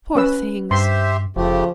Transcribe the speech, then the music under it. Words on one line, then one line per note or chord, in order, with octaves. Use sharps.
"Poor things!"
C#4 B4 E6
G2 G4 C5 E5 C6
F1 C#3 F3 A3 G4